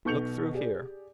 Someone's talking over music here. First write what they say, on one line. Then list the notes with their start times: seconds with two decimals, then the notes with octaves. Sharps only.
"Look through here."
0.05 B1 B2 C#6 G6 C#7 F7
0.54 G4 G#4 D5